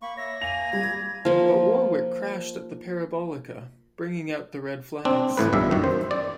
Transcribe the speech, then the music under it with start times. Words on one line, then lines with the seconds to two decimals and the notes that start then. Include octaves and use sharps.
But Warwick crashed at the Parabolica, bringing out the red flags.
0.02 A#3 B5 C#6
0.17 C#5 E5 A#6
0.41 A#3 G#5 F7
0.73 G3 G#6
1.25 F3 A#3
5.05 C4 D4
5.37 A1 A2 B4
5.53 B1 G2 A#2 D#3 E5
5.71 F#2 D#3
5.84 C5
6.11 D5